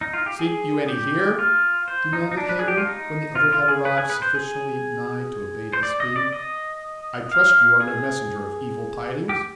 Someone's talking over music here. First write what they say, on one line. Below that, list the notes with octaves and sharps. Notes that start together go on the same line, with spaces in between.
"Seek you any here?" demanded Heyward, when the other had arrived sufficiently nigh to abate his speed; "I trust you are no messenger of evil tidings?"
D#4
F4
G4
G#4
G4
F4
C5
D#4
D#4
D4
B4
G#4
G4
F4
D#4
F4
F4
G#4
B4
G#4
B4
C5
G#4
C5
D5
D#5
D5
D#5
F5
G#4
G4